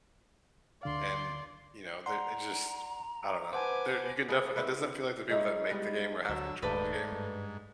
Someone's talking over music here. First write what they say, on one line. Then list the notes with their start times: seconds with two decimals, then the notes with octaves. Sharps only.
And, you know, they it just I don't know, there you can defi it doesn't feel like the people that make the game or have control of the game
0.83 D2 D3 D5 F5 C6
2.06 D5 F#5 A#5 C6
3.53 B4 C5 F#5 G#5 A5 D6
4.28 A#3 D4 G#4 B4
4.56 C4 E4 F#4 B4
5.30 G#3 C#4 D#4 E4
5.70 G3 G#3 B3 B4
6.29 D2 D3 F#3 E6
6.62 D#1 G#2 D#3 A3 B4 D5
7.12 G2